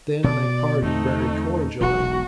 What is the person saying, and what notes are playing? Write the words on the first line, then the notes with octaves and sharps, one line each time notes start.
Then they parted very cordially.
B2 D5
E2 D3 A3 C4 D#4
E1 B1 F#4